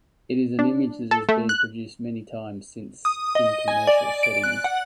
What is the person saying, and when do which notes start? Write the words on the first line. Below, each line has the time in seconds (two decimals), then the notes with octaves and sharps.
It is an image that has been produced many times since in commercial settings.
0.59 D4
1.11 A4
1.29 A3
1.49 F#6
3.05 D#6
3.35 D#5
3.68 G#5
3.87 D5
4.23 D7
4.44 F#6
4.64 F#5